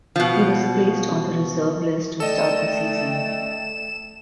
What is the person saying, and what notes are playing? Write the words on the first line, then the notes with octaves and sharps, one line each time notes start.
He was placed on the reserve list to start the season.
B2 F3
A3 A4 D5 D#5 G5 E7